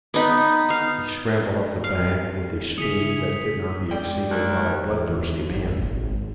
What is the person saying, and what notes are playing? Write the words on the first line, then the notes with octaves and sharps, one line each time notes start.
He scrambled up the bank with a speed that could not be exceeded by a bloodthirsty man.
B3 D#4 B5
D#4 F5
F5
C#3 E4 G#4 D#6 B6 C#7 D#7 F7
G#3 D5 G5
D#2
E2
G#1
A#1
G#1